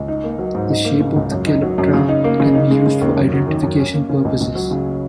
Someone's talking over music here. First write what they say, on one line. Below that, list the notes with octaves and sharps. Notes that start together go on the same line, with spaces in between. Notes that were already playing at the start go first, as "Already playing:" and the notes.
The shape of the calyptra can be used for identification purposes.
Already playing: C#2
D#4
A#3
F#3
G#2
D#4
A#3
C#3
C#2
F#2
D#4
F#3
F#2
C#3
D#4
A#3
C#3
D#4
G#3
C#3
D#2
F#2
F#3
D#3
F#2
C#4
A#3
C#3
C#2
C#2
F#3
C#3